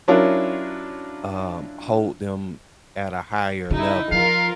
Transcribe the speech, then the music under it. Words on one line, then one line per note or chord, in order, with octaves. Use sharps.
um, hold them at a higher level
F#3 C#4 D4 E4 F4 A#4
C#3 D#4 E4
F3 F4 A#4 F5